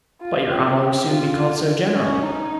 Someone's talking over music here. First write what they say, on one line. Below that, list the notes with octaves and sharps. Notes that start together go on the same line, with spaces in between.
"But your honor will soon be called so generally."
F4
G4
F4
C#4
D#4